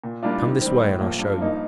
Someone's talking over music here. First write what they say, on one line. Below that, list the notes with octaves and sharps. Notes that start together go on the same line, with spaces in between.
Come this way and I'll show you.
A#2
G3 A#3 D4 F4
D#3
C4
G3
A2
F3 A#3
G2
F3 A#3 D#4